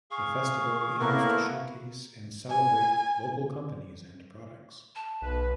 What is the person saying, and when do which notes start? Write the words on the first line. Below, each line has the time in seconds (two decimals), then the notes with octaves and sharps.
The festival aims to showcase and celebrate local companies and products.
0.11 G#4 F5 C#6
0.99 A2 A#3 B3 E4 A#4 C#6
2.50 G#5
4.96 A5
5.22 B1 B4